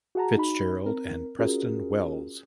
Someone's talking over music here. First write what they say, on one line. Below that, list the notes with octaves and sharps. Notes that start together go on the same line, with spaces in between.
Fitzgerald and Preston Wells.
F#4 G#4 F#5 A5 A#5
D#4 F#4 B5
C4 A#4
C#4 F4 F#4 G#4 A#4